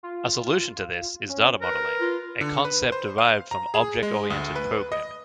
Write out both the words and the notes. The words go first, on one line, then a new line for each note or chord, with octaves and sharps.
A solution to this is data modeling, a concept derived from object oriented programming.
F4
C#4
A#4 B4
F4
D3
B4
C5
F5
A#5
G#4
G#3
D2
B4
D#5